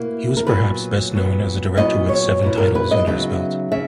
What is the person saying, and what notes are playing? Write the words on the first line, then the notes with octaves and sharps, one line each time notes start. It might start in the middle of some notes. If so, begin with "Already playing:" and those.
He was perhaps best known as a director with seven titles under his belt.
Already playing: B2 A#3 E4
A#4
A#2 F#3 B3 B4
A#2 F#3 B3
A#2 F#3 B3 E4 D#5
C#5
A#2 F#3 B3 E4
A#4
B4
D#5
C#3 F#3 B3 D#4 E5
C#3 E5